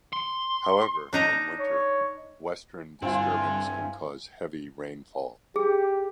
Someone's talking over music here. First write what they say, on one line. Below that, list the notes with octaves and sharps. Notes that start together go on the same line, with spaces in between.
However, in winter, Western Disturbance can cause heavy rainfall.
C6
D4 D#4 A#5
C#5
G2 D3 C4 E4 F4 G#5
G4 G#4